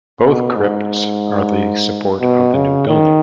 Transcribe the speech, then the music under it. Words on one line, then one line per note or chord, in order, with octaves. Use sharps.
Both crypts are the support of the new building.
B2
G#2
B2
C#3
D#3